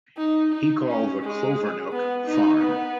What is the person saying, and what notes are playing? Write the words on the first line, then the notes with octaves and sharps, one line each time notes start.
He called the Clovernook Farm.
D#4
D#4
C#4
G#3
B3
D#4
B3